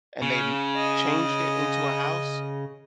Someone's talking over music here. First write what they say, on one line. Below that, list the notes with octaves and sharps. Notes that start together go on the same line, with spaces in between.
and they m changed it into a house?
C#3
D#5